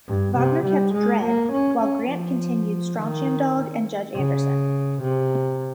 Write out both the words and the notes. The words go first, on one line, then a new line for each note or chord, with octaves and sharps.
Wagner kept "Dredd", while Grant continued "Strontium Dog" and "Judge Anderson".
G2
C3
G3
G#3
A#3
C#4
C#4
F3
D#3
C#3
C3